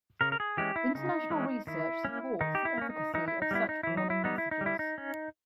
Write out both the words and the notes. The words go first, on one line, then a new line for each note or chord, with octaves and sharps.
International research supports the efficacy of such warning messages.
C#3 A#4
A#4
G#4
E3 G#3 C#4 G4
E4
C#3 D#4
E3 G#3 C#4
D#3 E4
A#3 C#4
D#3 D#4
G4
E4
A#3 C#4
D#4
E3 D#4
E4
D#4
G3 B3 E4
D#4
E3 E4
D#4
E4
G3 B3 D#4
E4
D#4
G3
E4
D#4
C#4